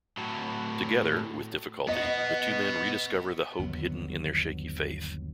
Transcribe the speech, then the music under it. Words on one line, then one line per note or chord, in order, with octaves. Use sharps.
Together, with difficulty, the two men rediscover the hope hidden in their shaky faith.
A2 F#3
B3 F#4 D#5
G1 D#2 F#3 B3